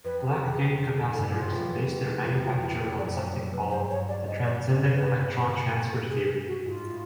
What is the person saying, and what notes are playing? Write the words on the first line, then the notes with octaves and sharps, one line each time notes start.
Black Gate capacitors base their manufacture on something called 'The Transcendent Electron Transfer' theory.
F2 B4
A4
G#4
G#4
A4
G#2
G2 A4
F#2
F4
F2
E2
F2 F4
F#4
E4
G#4
F#2 D5
C5
B4
G2 C5
C#5
D5
D#5
D5
C5
B4
G2
A4
G#4
F#4
G#2 F4
A2